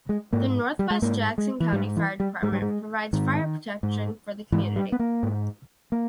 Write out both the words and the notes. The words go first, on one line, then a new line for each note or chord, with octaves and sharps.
The Northwest Jackson County Fire Department provides fire protection for the community.
G#3
G#2 A#3
G3
G#3
G#2 A#3
G#3
E3
G#2 G3
E3
G3
G#2 G#3
G3
G#3
G#2 D#3
G#2
G#2 E3
G3
B3
A#3
G#2
A#3